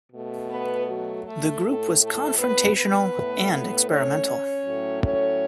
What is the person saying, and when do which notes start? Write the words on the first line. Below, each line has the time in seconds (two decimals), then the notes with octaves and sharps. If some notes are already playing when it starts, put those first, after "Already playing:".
The group was confrontational and experimental.
0.11 B2 A3
0.48 B3 B4
0.87 F#3 F#4
1.24 A3 A4
1.62 A2 A3
2.00 A3 A4
2.38 B3 B4
2.76 B3 B4
3.13 A2 A3
3.51 B3 B4
3.90 C#4 C#5
4.64 A2 F#3 A3
5.03 C#4 C#5